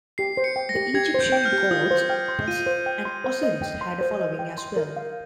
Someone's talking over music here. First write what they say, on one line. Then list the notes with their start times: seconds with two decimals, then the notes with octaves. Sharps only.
The Egyptian gods Bes and Osiris had a following as well.
0.18 G4 C7
0.37 C5
0.44 C#7
0.56 G5
0.69 A#6
0.76 G4
0.94 G4 G#6
1.14 C5
1.20 G6
1.32 G5 G6
1.45 F6
1.53 G4
1.71 F4 D#6
1.91 C5
2.09 G5 F6
2.28 C6
2.48 F4 D#7
2.66 C5
2.86 G5
3.05 C6
3.24 C5
3.43 D#5
3.62 G5
3.81 C6
4.01 C5
4.20 D#5
4.39 G5
4.58 C6
4.76 A#4
4.96 F5